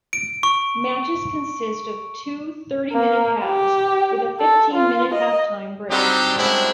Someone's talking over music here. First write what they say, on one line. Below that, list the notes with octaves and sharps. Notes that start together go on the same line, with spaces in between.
Matches consist of two thirty-minute halves, with a fifteen-minute half-time break.
D7
C#6
A#3
G4
A4
F4
D#5
F#3 G3 C4 D4 D#4 G4
F#2 G3 G#3 C4 D4 E4